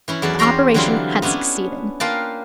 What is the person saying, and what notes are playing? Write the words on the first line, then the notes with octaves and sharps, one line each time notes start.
The operation had succeeded.
E3 C#4 E4
E2 F#3 A4 D5
C#4 C5 D5 G5 A#5 C6
D3 E3 F#3 G3 C4 F4
B3 C#4 D4 E4
A#3 F4 B4 F5 G5 A5